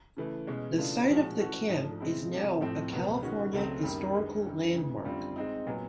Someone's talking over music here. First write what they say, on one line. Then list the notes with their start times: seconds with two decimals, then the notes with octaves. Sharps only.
The site of the camp is now a California Historical Landmark.
0.17 C#3 E3 A3
0.47 B2 G#3 C#4
0.78 C#3 E3 A3 D4 F4
1.09 A#2 F3 G#3 C#4 F#4
1.39 E3 A3 C#4 F#4 A4
1.69 G#2 F3 A3 D4
2.00 B2 G#3 C4 E4
2.30 C3 F3 A3
2.61 A2 F3 A3 C4
2.91 C#2 B2 F#3 B3
3.22 D#3 G#3 C#4 F#4
3.53 C#2 C#3 F#3 A3 C4
3.83 F#2 D#3 G3 A#3 D4
4.13 G2 D#3 G#3
4.45 F#2 D3 G3
4.74 D2 C#3 E3
5.05 F#2 D3 G3 C4 F4
5.36 G#3 C4 D#4
5.67 A#2 F#3 B3